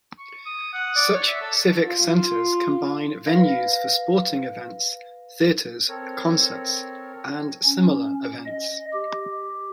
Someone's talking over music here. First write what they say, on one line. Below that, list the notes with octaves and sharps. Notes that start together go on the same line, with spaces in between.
Such "Civic Centers" combine venues for sporting events, theaters, concerts and similar events.
C#6
D#6
F#5
D5
C#5
E5
A4
F4
B4 F5 A#6
C4 A4 A#4 C#5
C#4
D#5
G4